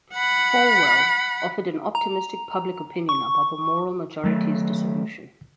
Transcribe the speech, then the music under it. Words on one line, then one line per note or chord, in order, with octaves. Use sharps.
Falwell offered an optimistic public opinion about the Moral Majority's dissolution.
F#5 B5
A#5
C#6
D#3 F#3 A3